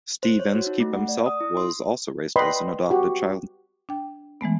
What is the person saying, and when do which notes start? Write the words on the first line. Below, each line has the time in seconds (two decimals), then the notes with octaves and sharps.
Steve Inskeep himself was also raised as an adopted child.
0.23 C5
0.40 C#5
0.55 F#4
0.67 D#4
0.80 A3
0.93 F#5
1.08 D5
1.26 D#6
1.41 E4
1.57 C6
2.36 B4 D5 D#5 G5 B5 C6
2.90 F#4 G4
3.89 D4 G5
4.41 E3 G#3 A3 B3